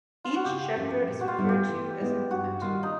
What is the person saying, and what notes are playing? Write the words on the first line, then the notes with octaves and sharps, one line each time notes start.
Each chapter is referred to as a movement.
F4
F#4
C#3 G4
F3 A#3 C#4
A#2
F#4
F4
G3 B3 E4
G4
E3
G#3 B3 E4
G2 F#4
D#3 G3 A#3 F4
D#4